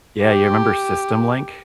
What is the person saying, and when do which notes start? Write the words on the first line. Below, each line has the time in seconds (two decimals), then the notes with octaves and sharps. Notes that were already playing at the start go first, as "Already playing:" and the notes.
Yeah, you remember SystemLink?
0.22 G4